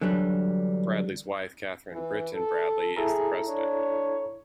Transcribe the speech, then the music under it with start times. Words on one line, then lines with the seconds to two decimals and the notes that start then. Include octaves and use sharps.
Bradley's wife, Katherine Brittain Bradley, is the president.
0.01 D3 E3 F#3 G3
1.92 E3
2.33 A4
2.96 E4 G#4 A4 A#5
3.48 D4 C#5